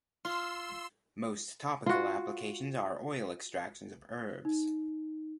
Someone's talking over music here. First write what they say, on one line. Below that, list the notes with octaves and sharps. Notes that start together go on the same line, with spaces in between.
Most topical applications are oil extractions of herbs.
F4 C6 E6
F4 F#4
D#4